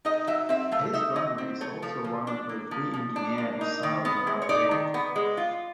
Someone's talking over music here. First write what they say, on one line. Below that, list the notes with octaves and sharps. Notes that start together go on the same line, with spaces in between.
This runway is also one of the three in Guinea-Bissau that are paved.
D#4 D#5
F#3 E5
C4 E5
A3 F5
D#4 E5
F#3 D#5
C4
A3 C#5
F3 C#5
F3
D4
A#3
F3
F3
D4
A#3
D#4
D#3
B3
G#3
C#5
D#4 D5
D#3
B3
G#3
F4